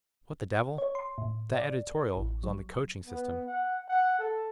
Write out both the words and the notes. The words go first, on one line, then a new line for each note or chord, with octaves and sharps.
"What the devil--that editorial was on the coaching system."
C#5
C6
A2
D5
A1
F#3
B3
F#5
F#5
A4